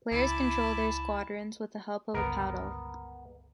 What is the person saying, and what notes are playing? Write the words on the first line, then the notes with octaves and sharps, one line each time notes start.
Players control their squadrons with the help of a paddle.
C#2 E4 G#5 A5 B5 D6
G1 C#2 G2 B3 A#4